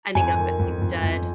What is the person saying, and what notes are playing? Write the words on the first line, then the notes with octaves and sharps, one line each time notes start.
ending up at, like, a dud.
F2 G#5
D#3
F2
F2
F2